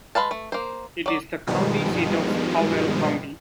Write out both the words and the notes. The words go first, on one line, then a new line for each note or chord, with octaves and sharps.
It is the county seat of Howell County.
G#3 B4 F5 A5
A3
A#3 C5
F#3 D5
G2 B2 D#3 F3 G3 G#3